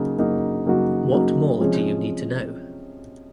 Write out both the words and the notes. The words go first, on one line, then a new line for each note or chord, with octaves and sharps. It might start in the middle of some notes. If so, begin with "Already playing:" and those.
What more do you need to know?
Already playing: C#3 F#3 A#3 D#4 F#4
C#3 F#3 A#3 D#4 F#4
C#3 F#3 A#3 D#4 F#4
C#3 F#3 A#3 D#4 F#4
C3 F3 G#3 C#4 G#4